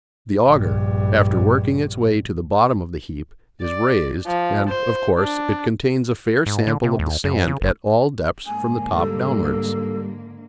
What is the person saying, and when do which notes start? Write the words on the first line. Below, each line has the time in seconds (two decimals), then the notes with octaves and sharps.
The auger, after working its way to the bottom of the heap, is raised, and, of course, it contains a fair sample of the sand at all depths from the top downwards.
0.47 A#1 G2
3.61 D5
4.26 F3
4.69 C5
5.18 D4
6.46 G#2
6.67 D3
6.84 C3
6.99 D#2
7.24 F#2
7.47 C#3
7.61 F#1
8.46 G#2 D3 A#3 G#5
8.97 G3 A4